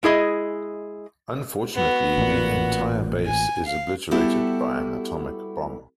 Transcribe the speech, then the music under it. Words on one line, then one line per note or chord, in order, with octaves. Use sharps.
Unfortunately, the entire base is obliterated by an atomic bomb.
G#3 E4 G#4 D#5
B3 F#4
A1 A#2
G#5
F5
G3 B3 E4 F#4 G4 A4